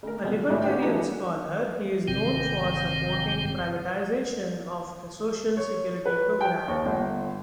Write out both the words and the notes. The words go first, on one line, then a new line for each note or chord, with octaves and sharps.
A libertarian scholar, he is known for supporting privatization of the Social Security program.
D2 A#4
C#2 B2
G1 D2 G#2 G#3 G4 C#5
F#4 G4 C5 D5 F#5 G5
E3 F#3 G#3 C4 D4 D#4
G#1 G2 C3 D#3 C4 G5
C#5
B4
G5
D#2
G1